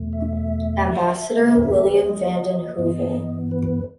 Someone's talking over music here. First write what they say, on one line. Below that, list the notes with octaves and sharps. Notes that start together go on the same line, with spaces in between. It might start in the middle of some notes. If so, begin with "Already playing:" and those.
Ambassador William vanden Heuvel.
Already playing: E2 B2 A3
E5
E5
A4
B4
C5
D#5
G2 E3 B3
B4